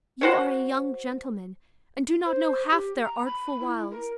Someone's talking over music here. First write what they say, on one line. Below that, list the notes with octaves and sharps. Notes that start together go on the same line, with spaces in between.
You are a young gentleman, and do not know half their artful wiles.
F#4 C5 C#5
C5
G4
A#5
B5
E4
A#4